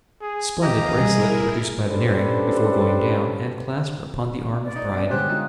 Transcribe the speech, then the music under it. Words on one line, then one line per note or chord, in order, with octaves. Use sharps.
Splendid bracelet, produced by Veneering before going down, and clasped upon the arm of bride.
G#4
D#2 E3 G4 D#5 F5 A#5
B2 G3 E4 G#4 A#4
C#4 D4 G4 A4 B4 C5
D5
D#4
G3 B3 C#4
D3 G#3 G4 G#4 C5 F#6
G#3 D#4 F4 F#4